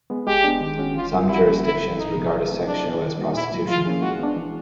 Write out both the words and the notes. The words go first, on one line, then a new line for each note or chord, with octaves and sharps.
Some jurisdictions regard a sex show as prostitution.
G#3 B3
G#3 G4
B3 D4
D#3
G#3 C#4 F#4
E3 F4
G3 C4 F4
G3 E4
A#3 C#4
D3 E4
G3 C4
A2 D#4
F3 G#3 B3
F#3
A3 C4 E4 A4
F#3 D4
B3 E4
D#3
G3 A#3 D#4 F#4
A#2 E4
F#3 A3
F3 F4
A#3 C#4 E4 G#4
G#3 F#4
B3 D4
E3